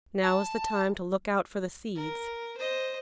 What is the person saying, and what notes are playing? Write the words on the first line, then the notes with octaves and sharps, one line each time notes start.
Now is the time to look out for the seeds.
A5
A#4
C5 D#5